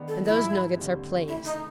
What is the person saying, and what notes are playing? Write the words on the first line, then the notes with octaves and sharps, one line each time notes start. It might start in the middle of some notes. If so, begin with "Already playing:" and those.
And those nuggets are plays.
Already playing: D#3 G#3 B3 D4
A4
G#2 F3 G#3 E4
D#2 D3 G3 C4
C#3 E3 A3 E4
D#4